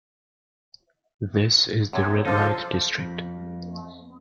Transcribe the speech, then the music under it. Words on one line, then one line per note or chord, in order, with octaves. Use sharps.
This is the red light district.
F#2 C3 B3 C#5
D3 F3 D#4 F4 A4 C5
F2